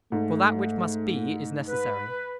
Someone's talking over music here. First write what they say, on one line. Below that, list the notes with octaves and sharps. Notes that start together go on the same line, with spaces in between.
For that which must be is necessary.
G#2 A3
B4